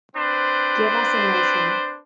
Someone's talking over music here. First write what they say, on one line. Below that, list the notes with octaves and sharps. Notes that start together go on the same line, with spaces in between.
Give us a notion.
C4 D4 B4 C5